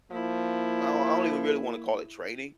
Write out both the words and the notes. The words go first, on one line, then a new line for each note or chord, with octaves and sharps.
I don't I don't even really wanna call it training,
F3 A#3 E4